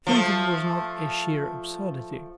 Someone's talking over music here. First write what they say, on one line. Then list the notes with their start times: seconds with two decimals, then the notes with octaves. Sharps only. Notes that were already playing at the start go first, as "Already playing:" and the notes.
Thieving was not a sheer absurdity.
0.07 F3 A3